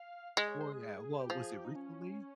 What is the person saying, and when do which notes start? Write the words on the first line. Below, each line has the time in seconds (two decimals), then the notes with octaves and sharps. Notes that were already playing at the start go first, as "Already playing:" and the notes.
Well, yeah. Well, was it recently?
Already playing: F5
0.37 G#3 D#5
0.48 C#5
0.61 C5
0.72 G#4
1.20 G4
1.30 F3 G#4
1.42 G#4
1.53 G4
1.65 D#4
1.75 C#4